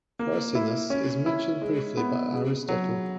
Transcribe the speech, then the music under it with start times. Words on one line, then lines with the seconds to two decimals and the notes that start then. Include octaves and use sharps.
Carcinus is mentioned briefly by Aristotle.
0.19 A#3
0.55 E4
0.90 C#4
1.26 E4
1.62 G#3
1.97 B3
2.33 C#3
2.69 F#3